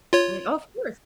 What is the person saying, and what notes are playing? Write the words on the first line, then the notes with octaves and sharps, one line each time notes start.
Right, of course.
F4 C#5